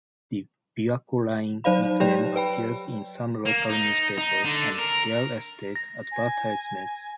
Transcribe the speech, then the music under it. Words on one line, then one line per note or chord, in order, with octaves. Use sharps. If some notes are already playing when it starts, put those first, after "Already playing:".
The "Biwako Line" nickname appears in some local newspapers and real estate advertisements.
F#3 D#4 C5 D5 F5 B5
F#3 G4 C#5 D5 G5
B4 G5 B5
A#3
D#4
D#4
D3
A#4
A#6
G#5